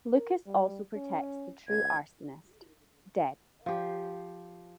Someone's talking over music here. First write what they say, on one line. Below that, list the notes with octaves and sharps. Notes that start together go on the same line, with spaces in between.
Lucas also protects the true arsonist: Deb.
A#4
G3
C#4
C#2 G#6
F3 G4